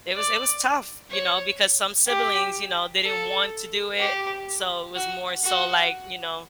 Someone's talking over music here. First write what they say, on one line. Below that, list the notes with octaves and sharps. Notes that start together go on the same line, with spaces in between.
it was it was tough, you know, because some siblings, you know, they didn't want to do it, so it was more so, like, you know
D5
C#5
G4
A4
G4
F#4
F#4